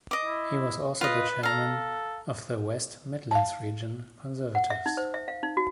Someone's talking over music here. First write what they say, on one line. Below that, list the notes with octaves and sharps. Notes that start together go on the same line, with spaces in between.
He was also the Chairman of the West Midlands Region Conservatives.
D#5 D6
E4
F4 B4 D#5
A4 F5 A#5
F5 A5
F#5
E5
D#4
C5
E5
F5
D#4
F#4